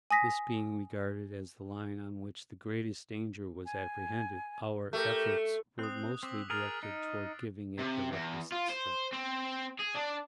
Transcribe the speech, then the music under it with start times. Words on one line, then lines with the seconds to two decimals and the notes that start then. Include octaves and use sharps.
This being regarded as the line on which the greatest danger was apprehended, our efforts were mostly directed toward giving it the requisite strength.
0.11 G#5 D#6 A#6 B6
3.65 G#5
4.93 A3 G4 A#4 G6
5.79 C4 D#6 F#6
6.23 C4 D6 E6 B6
6.50 G#4 A#4 F6 A6 C7
6.83 D#4 D7
7.79 C3
8.12 E2
8.52 F4
8.70 C5
9.13 C4
9.80 G#4
9.95 D4